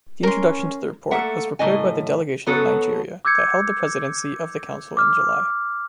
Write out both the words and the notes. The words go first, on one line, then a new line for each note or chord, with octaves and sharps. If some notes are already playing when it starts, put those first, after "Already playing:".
The introduction to the report was prepared by the delegation of Nigeria that held the presidency of the Council in July.
C#4 A#4 C6
A3 A#3 E5 F#5
F#2 A2 C#3 D#5 G#5
F#2 F#3 B3 F#4 A4
D6 E6 G6 G#6 C#7
D6 F6